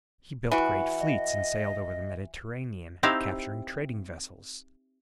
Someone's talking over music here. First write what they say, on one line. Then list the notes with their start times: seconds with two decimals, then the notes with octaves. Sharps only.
He built great fleets and sailed over the Mediterranean, capturing trading vessels.
0.51 E3 F#4
1.00 D#5
3.03 C4 D#4 E4 G4 F5